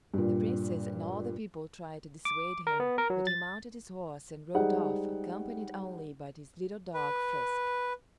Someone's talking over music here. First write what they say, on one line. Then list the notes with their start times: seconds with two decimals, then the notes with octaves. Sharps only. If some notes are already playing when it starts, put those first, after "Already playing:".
The Princess and all the people tried to dissuade him, but he mounted his horse and rode off, accompanied only by his little dog, Frisk.
0.14 G2 A#2
2.25 D6
2.67 A#4
2.80 B3
2.98 A#4
3.10 F#3
3.27 A6
4.54 G3 G#3 D#4 G#4 C5 F#5
6.94 B4